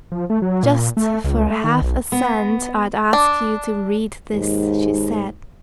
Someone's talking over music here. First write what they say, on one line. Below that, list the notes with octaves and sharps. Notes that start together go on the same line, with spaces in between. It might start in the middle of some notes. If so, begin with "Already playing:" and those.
"Just for half a cent I'd ask you to read this," she said.
F3
A3
F#3
A#2
A3
C#2
A3
D#3
B1
B3
D4
D#2 G#2